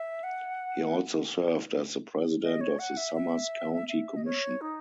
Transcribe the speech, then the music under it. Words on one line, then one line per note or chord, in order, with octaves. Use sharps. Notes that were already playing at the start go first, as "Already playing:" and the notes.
He also served as the president of the Summers County commission.
Already playing: E5
F#5
D#5
C#5
F#5
E5
E5
E5
D#5
C#5
D#4